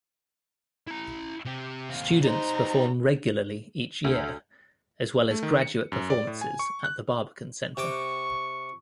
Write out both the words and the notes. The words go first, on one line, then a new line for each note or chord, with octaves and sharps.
Students perform regularly each year, as well as graduate performances at The Barbican Centre.
E4 A#5
C3 G4
D#2 C3 F5
G3 D#4 C5 A#5 C6
D2
A3
D#3
C#7
F#2
D5
A2
G#5
C#6
F#6
C3 G5 C#6 D6